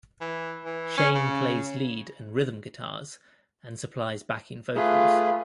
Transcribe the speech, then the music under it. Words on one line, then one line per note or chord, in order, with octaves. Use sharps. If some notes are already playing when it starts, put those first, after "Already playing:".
Shane plays lead and rhythm guitars, and supplies backing vocals.
E3
E3
C#4
C#3
A3 F4 G#4 B4